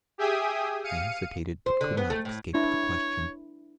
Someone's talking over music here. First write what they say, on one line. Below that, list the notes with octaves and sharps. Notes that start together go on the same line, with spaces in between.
I hesitated but could not escape the question.
G4 G#4 E5 G5 G#5 D#6
F5 C#7 D#7
C5
D3
B3
A3
A2
D4 E4 C#5